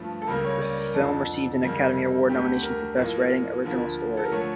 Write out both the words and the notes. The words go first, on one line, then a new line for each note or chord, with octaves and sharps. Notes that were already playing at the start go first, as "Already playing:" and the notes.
The film received an Academy Award nomination for Best Writing, Original Story.
Already playing: G2 F3 A3 A4
A4
C#2 C#3 G3 A#3 A#4
C#5
D5
A#4
F2 D3 F3 A4
F2 C#3 G3 A#3
D2 D3 A3 G4
A#4
A2 F3 A#3
D2 D3 F3 A#3
A4
A#4
D3 F3 A3 C#5